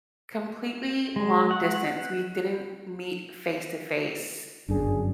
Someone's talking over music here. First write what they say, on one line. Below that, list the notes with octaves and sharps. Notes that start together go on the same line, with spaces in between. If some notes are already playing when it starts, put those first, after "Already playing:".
completely long distance. We didn't meet face to face,
G#3
F#5
G1 F#2 C#3 D4 G#4